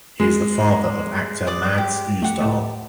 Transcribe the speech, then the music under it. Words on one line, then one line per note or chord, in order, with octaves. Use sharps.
He is the father of actor Mads Ousdal.
G#3
D5 D6 D#6
G4
A3 G4 F#5
A2 A3